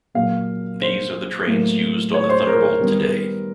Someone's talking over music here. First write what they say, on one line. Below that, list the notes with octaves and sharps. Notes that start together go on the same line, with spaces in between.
These are the trains used on the Thunderbolt today.
A#2 F#3 A#3 F5
C5
A2 F#3 A#3
C#5
C5
A#4
A#4
D#3 G3 B3